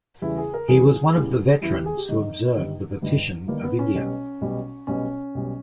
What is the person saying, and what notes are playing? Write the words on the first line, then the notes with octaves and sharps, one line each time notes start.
He was one of the veterans who observed the partition of India.
E2 C#3 E3 G3 E4
G#4
A#4
E2 C#3 E3 G3 G#4
E2 C#3 E3 G3
E2 C#3 E3 G3 E4
G4
G#4
G4
G1 G2 D#3 G3 D#4
G1 G2 D#3 G3
G1 G2 D#3 G3
G1 G2 D#3 G3 A#3
B3
C#4
B1 B2 G3
B1 B2 G3
B1 B2 G3 C#4
B1 B2 G3